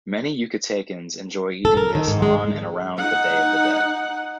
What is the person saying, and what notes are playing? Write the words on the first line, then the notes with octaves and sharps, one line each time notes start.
Many Yucatecans enjoy eating this on and around the Day of the Dead.
A4
A#4
D#3
G#2
G#3
D#4 F#5